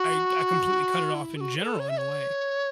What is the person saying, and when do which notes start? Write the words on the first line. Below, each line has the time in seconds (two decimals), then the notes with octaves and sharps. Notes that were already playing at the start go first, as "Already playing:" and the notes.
I d I completely cut it off in general, in a way.
Already playing: F#4
1.14 E4
1.36 A4
1.41 F#4
1.58 C#5
1.62 A4
1.79 C#5
1.89 E5
1.99 C#5